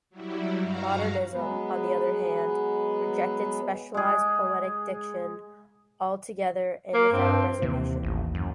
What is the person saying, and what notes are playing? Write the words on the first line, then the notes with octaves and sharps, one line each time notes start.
Modernism, on the other hand, rejected specialized poetic diction altogether and without reservation.
F#3 G3 E4
G2 F#4 F5 A#5
F#3 G#3 B3 B4
G#3 G#4
A#3
G2 C4
D#2 C3 E3 A#3
A1
F#2